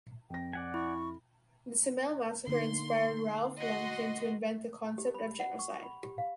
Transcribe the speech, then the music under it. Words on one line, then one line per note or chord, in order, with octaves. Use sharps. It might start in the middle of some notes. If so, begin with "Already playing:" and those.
The Simele massacre inspired Raphael Lemkin to invent the concept of genocide.
F2 G5 A#6
D5 F#5 G#5
E4 C#6
D3 A#3 D#4 C6
F#4 D#5 C6
G4
B5
F#5
C#6
B5
G4
F5